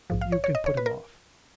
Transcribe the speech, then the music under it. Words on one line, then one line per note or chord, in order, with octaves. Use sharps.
'You can put him off.
A#1 G#2 F3
F5
C#5
C#5
D#5
C#5
B4
A#4